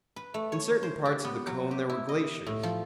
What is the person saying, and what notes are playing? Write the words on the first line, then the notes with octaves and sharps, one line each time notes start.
In certain parts of the cone there were glaciers.
B4
A3
C#5
C5
G4
B3
F#3
G4
E4
D#5
A2
F3